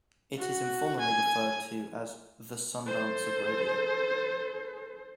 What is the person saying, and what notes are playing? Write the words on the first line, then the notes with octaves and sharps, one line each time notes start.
It is informally referred to as the "Sundance of Radio".
F#4
G#5
A4 C5